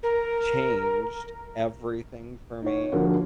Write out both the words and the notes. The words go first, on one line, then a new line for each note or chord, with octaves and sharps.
changed everything for me,
A#4
D#4 C#5
D3 F3 A#3 F4 F#4